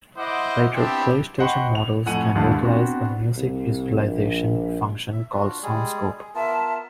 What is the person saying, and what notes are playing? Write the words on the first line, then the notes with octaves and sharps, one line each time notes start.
Later PlayStation models can utilize a music visualization function called SoundScope.
E4 C5 D#5 F#5 D6
B3 C4 D4 E4 G4
C5 D#5 F#5 G5 B5 C#6
F7
F2 A2 F#5 G#5 D#7
G1 D#2 G#2 D3 E4 A5
B3 C4 D4 F#4
C2
A#1
E5
D4 F4 F#4
G3 G#3 G#4
G#4
B3 F4 A#4 E5 A5